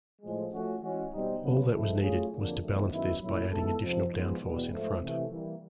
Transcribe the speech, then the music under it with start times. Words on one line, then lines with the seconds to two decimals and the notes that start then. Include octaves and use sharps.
All that was needed was to balance this by adding additional downforce in front.
0.21 A2 F3 G#3
0.51 F3 A3 C#4 F#4
0.81 E3 G#3 C#4 F#4
1.11 B2 G3 C4 D#4
1.41 C#3 F#3 B3
1.71 F3 G#3 C4 E4 A4
2.01 F#3 A3 C#4 F4 G#4
2.31 F2 D3 F#3 A#3 D4
2.60 E2 C3 D#3 F#3 A3
2.91 F#2 D#3 G#3 B3 E4
3.21 A#2 F#3 A3 C#4 E4
3.51 D#3 G#3 B3 E4 A4
3.80 F2 C3 F3
4.11 G#2 F3 G#3 B3
4.41 E2 B2 G3 B3
4.70 G#2 F3 A3
5.00 C3 E3 A3
5.30 E3 G3 A#3